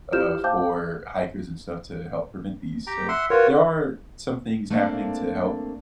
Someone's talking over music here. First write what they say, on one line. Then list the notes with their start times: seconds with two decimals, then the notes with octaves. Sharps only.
uh, for hikers and stuff to help prevent these. So, there are some things happening to help,
0.13 E4 F4 G4 F6 G6 E7
0.44 C5 F5 G5 A5 D6 G6
2.87 G4 G5 A#5
3.08 E5 F#5 C6
3.30 F4 F#4 A#4 B4 C#5
4.70 A3 A#3 C4 D4